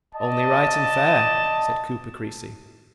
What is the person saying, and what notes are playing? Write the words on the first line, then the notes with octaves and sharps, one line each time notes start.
"Only right and fair," said Cooper Creasy.
D5 D#5 A5